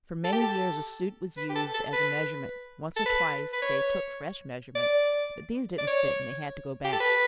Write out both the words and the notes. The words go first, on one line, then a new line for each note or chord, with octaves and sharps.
For many years a suit was used as a measurement; once or twice they took fresh measurements, but these didn't fit and they had to go back.
A4
G4
A4
B4
G4
A4
A4
B4
A4
B4
B4
C#5
D5
D5
C#5
G4
A4
B4